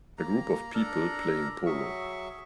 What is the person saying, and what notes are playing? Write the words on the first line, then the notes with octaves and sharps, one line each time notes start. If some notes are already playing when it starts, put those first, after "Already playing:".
A group of people playing polo.
A#3 A#5
D4 A4 A#4 A#5
F#3 G#4 E5 C#6